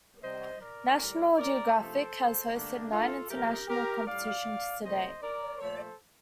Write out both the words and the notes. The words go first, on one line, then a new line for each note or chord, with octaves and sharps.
National Geographic has hosted nine international competitions to date.
C3 G3 C5 D#5
A#4 D5
A2 G3
A#4 D5
C3 F3 A3 A4 C5
G2 D3 A3 A#3 D4
F4 A4
A#2 F3 A3 G4 A#4
G4 A#4
A2 G3 D5 F5
C3 F3 A3 C5 D#5
A#4 D5
A#2 F3 A3 A4 C5